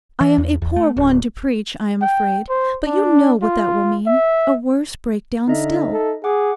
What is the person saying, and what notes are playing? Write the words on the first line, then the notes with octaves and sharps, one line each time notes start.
I am a poor one to preach, I am afraid; but you know what that will mean--a worse breakdown still.
E3
E2
E2
A3
D1
G5
C5
D4
F4
E5
D3 D#4 D#5 E5
A4
G#4 F#5 D6